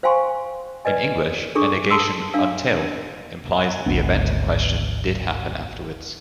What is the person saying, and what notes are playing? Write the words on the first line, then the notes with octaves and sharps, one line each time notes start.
In English a negation "until" implies that the event in question did happen afterwards.
C5 F5 G5 G#5 C6 C#6
B4 D5 D#5 G#5
D4 G#4 A4 C#6
A4 A5 C6 E6
D4 F5 E6
G#1 D2 B3 D4